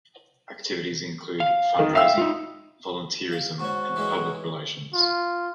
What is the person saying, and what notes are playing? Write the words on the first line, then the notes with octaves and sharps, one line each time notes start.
Activities include fund-raising, volunteerism, and public relations.
F5
D#3
E5 F5 G5 E6
D#4 F4
F5
G#2 C#4 F#4
E3 G#3 C#4
F4